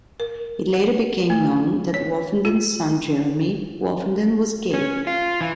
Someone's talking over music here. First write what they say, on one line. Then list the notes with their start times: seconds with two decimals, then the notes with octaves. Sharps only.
It later became known that Wolfenden's son Jeremy Wolfenden was gay.
0.20 A#4
0.74 F#5
1.30 A3
1.94 C#5
2.45 F4
4.74 C#4
5.07 F4
5.41 E3